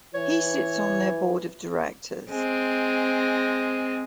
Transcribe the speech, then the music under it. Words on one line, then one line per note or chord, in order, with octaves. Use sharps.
He sits on their board of directors.
E3 C#5
G#3 C4